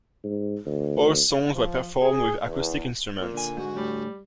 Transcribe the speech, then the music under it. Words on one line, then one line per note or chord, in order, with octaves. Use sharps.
All songs were performed with acoustic instruments.
G#2
D2
F3
G#4
E2
A#2
D3 G#5
G#2 F#4
A2 G3